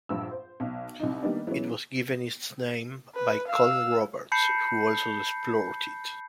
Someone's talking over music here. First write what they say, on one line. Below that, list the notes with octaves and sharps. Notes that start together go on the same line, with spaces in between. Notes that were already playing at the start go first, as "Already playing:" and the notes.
It was given its name by Colin Roberts, who also explored it.
A#1 G2 E6
C5
B1
C2 D#4
D#3 G3 A#3 B3 D4 D#4
E3 F#3 G#3 B3 C#4
B4
F5 E6
A5 B5 G6 C7 C#7